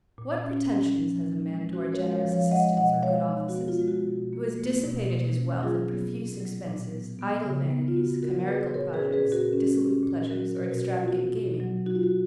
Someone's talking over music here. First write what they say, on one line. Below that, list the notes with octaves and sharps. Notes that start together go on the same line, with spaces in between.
What pretensions has a man to our generous assistance or good offices, who has dissipated his wealth in profuse expenses, idle vanities, chimerical projects, dissolute pleasures or extravagant gaming?
A#2
C#4
C#4
F3
F3
G#3
C#4 F#4
A#4 C#5
G#3
C#5 F5
F3
C#5 F5
G#3 D#5 F#5
B2 D#5 F#5
G#3 C#5 F5
D#4
F#4
B3
F4
G#3 F4
F#4
B2
A#3
A#3
B2
B2
C#4
F#3 F4 G#4
B3
A#2
F#3
A#2
B3
B3
C#3
B3
F4
B3 F#4
D#4 F#4 A#4
B3 G#4 B4
A#2 A#4 C#5
A#4
G#4 B4
C#4
G#4 B4
A#2
F#4 A#4
C#4
C#4
A#2
F#3 F#4 A#4
B2 A#4
B4
F#4 A#4
F#3 F#4
F4
B3 F#4
B2
F#3
D#4 F#4
F4
F#4